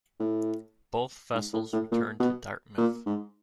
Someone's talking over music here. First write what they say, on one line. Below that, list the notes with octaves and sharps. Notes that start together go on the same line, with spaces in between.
Both vessels returned to Dartmouth.
A2
G#2
A2
A2
A#2
B2
A#2
G#2